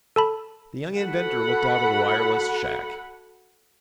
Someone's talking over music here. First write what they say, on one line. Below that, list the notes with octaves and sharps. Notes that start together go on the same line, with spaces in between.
The young inventor looked out of the wireless shack.
A4 A5 B5
F#4 A4 F#5 B5